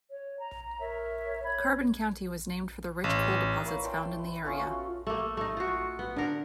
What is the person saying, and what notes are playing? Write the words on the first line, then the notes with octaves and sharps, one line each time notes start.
Carbon County was named for the rich coal deposits found in the area.
C#5
A#5
A#4 C#5 E5
C#5 B5 G#6
A1
A#3 E4 B4 C#5
D5 G5 A5 C6
B4
A3 B3 C#4 F4
F4 F#4
A3 A#3
A3 D#4
F4 F#4
B3
D3 A#4